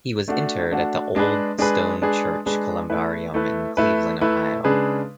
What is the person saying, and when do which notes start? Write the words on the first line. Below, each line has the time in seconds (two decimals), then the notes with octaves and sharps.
He was interred at the Old Stone Church columbarium in Cleveland, Ohio.
0.28 A3 D4 F#4
0.71 A3 D4 F#4
1.15 G#3 D4 G#4 B4
1.58 G#3 D4 G#4 B4
2.02 G#3 D4 G#4 B4
2.46 G#3 D4 G#4 B4
2.90 A3 E4 B4
3.34 A3 E4 B4
3.77 A3 E4 B4
4.21 A3 E4 B4
4.65 C#3 G#3 D4 G#4 B4